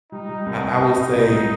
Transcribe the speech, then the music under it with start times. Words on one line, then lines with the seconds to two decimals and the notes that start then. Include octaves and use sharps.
I I will say
0.12 G3 D#4
0.29 G3
0.46 C2
0.64 C2
0.80 C2
0.97 C2
1.14 C2
1.31 G3